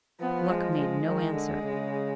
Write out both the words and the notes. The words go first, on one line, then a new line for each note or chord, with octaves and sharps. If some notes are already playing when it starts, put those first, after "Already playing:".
Gluck made no answer.
F3 B3
G#3
G#3
D#3
D3
C#3